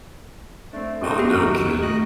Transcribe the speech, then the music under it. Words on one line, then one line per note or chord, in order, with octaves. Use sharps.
Oh, no kidding,
A3 C4 D4
D#4 F#4
G4
D#3 A#5
A2 F#4 D#5 F#6